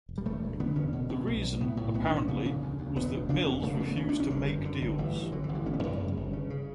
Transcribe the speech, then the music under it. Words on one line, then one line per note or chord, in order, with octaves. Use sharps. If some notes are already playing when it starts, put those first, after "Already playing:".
The reason, apparently, was that Mills refused to make deals.
E1
G3
E1 A3
D2
D3 B3
E1 C#4
B2
B2
B1
B1
A2 B3
A2
B1 B3
D4
B1 C#4
C#3 B3
C#3
D2
D2
E1 B3
D2
C#3 D4
E1 C#4
C#3 A3
A3
C#3
B3
D2 C#4
D4
D2
C#4
G1 D3
F#2
D3
G1
A1 E3
G2
D3 F#3
E3
A1
D3
G1 C#4
B3
F#2 C#4
C#3
G1
C#3
C#3